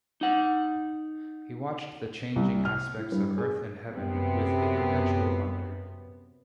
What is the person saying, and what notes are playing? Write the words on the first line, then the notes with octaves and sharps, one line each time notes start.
He watched the changing aspects of earth and heaven with a perpetual wonder.
D#4 F#5
C2
F6
E4
G2
G#4
F#2 C3 B3